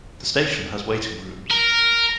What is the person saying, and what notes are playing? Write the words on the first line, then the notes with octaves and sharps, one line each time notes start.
The station has waiting rooms.
A#4